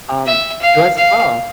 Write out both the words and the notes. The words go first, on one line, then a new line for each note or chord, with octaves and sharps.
um, you as well.
E5
F5
F5